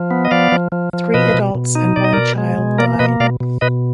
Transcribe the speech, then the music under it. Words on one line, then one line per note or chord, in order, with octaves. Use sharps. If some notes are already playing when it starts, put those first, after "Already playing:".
Three adults and one child died.
Already playing: F3
B3
D#5
F3 D5 F5
F3
F3
F3
B2 B4 D#5
B2
B2
D#4
B2 D5
D#5
B2 A#4 D5
G#3
B2
A#3 A#4 D5
B2 B4 D#5
B2 D5 F5
B2
B2 B4 D#5